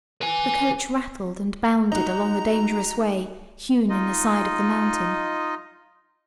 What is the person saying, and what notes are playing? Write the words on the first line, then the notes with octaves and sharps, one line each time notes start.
The coach rattled and bounded along the dangerous way hewn in the side of the mountain.
B4 G#5
D#4 F#4 A#5
D#4 F4 D#5